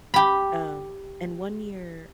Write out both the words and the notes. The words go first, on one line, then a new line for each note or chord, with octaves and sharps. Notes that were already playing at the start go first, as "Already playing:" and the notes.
Um, and one year,
G4 B5